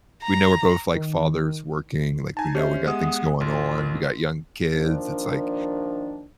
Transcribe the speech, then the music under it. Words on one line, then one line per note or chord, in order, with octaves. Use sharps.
we know we're both, like, fathers working, like, we know we got things going on, we got young kids, it's, like
A#5
D#3
D#4 G#5 A5
C#4 G4 C5 D#5 E5
G#3 B3 D#6
A1 F4
A#4 C6
D#3 F3 A#3 D4